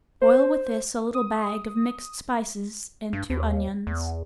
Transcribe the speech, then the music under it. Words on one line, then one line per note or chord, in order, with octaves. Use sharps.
Boil with this a little bag of mixed spices and two onions.
C5
D#6
G2
D#2
E2